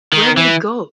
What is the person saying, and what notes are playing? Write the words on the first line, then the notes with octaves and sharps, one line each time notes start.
Where did it go?
D#3
E3